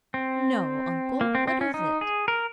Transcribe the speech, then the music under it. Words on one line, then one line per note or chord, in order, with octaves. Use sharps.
"No, uncle, what is it?"
C4
A#3
C4
C4
C#4
D#4
G#4
A#4